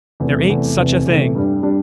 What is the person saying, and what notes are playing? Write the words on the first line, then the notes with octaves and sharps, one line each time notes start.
"There ain't such a thing!"
E2 C3 A3
E2 C3 A3
E2 C3 A3
E2 C3 A3
G2 G3 D4
G3 D4